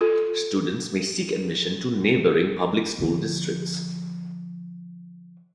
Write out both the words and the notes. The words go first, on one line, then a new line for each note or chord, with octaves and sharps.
Students may seek admission to neighboring public school districts.
F4 A4
D3 F3